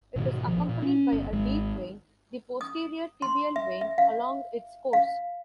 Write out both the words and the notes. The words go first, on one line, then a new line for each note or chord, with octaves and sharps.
It is accompanied by a deep vein, the posterior tibial vein, along its course.
G#2 B2 D#3
A1 F3
A#2
C#4
G1
G#1 G#3
D#6
C6
E5
E5
F5
F5